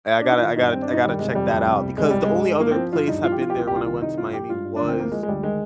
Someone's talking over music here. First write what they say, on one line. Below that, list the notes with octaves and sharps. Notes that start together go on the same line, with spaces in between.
Hey, I gotta I gotta I gotta check that out because the only other place I've been there, when I went to Miami, was
D4
D#4
D#3 F4
G2 D#4
G2 C4
D4
G2
D#4
D#3 G3
C3 G#3
F2 G3
F2
C3
C2
C2 G#3
C2 G3
G#3
G2
G2
F3 A#3
C4
F3
G2 F4
G2 D#4
F3 F4
G4
F3 F4
G4
C2 F4
C2 G4
F4
D#3 F4
C2 D#4
G2 F4
F3 G4
G2 F4
G2
D2 D4
C4
F3 A#3
F3 G#3
G#3
D2 G3
D#3 G#3